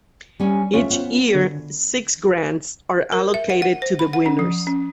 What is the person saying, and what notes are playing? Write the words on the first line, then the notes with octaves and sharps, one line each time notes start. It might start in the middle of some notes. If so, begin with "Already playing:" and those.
Each year, six grants are allocated to the winners.
G3 C#4 G#5
D2 C#4 F4 E5
B3 C5
D3
A#4
E5
F#5
F#5
C5
B5
F#5
C#4
F3
C#4